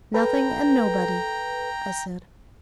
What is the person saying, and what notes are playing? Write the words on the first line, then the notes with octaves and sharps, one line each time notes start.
"Nothing and nobody!" I said.
A4 B4 G5 A#5